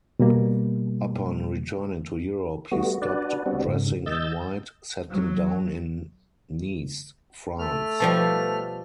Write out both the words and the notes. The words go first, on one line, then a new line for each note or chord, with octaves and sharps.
Upon returning to Europe he stopped dressing in white, settling down in Nice, France.
B2 G3 A#3
G3 A3 B3 F#4
D4 F#4 B4 D5
G3 B3 C4 D4 F#4
G#2 C#3
D#5 E6 G6 A6
F#3
A3 F6
B2 F3 G3 A5